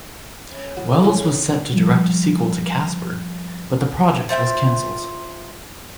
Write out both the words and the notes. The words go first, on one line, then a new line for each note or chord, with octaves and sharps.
Wells was set to direct a sequel to "Casper", but the project was cancelled.
C#4 E4
F#2 A2 B3 F#4
A2 C#4 D4 E4 G#4 D6
F3 G3
F4 C5 E5 G5